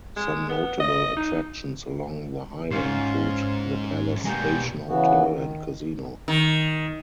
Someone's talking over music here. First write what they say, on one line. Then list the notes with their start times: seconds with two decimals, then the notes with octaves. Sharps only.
Some notable attractions along the highway include the Palace Station Hotel and Casino.
0.17 G#3
0.49 B3
0.80 D#5
1.17 D#4
2.71 G#2 C#4 F4 C5
4.25 B2 G#3 A#3 D#4 G4
4.87 C#3 E3 B3 F#4
5.31 D#3
6.28 D#3